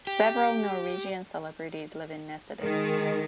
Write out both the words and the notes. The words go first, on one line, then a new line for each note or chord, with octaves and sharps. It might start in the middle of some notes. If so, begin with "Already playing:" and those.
Several Norwegian celebrities live in Nesodden.
G4
D#3 G#3